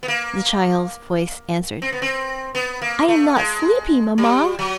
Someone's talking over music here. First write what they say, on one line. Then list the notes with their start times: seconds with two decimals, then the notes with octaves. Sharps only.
The child's voice answered, "I am not sleepy, mamma."
0.03 B3
0.08 A#3
1.82 C4
1.92 B3
2.02 C4
2.55 B3
2.82 A#3
3.08 A3
3.36 G#3
4.18 G3
4.59 F#3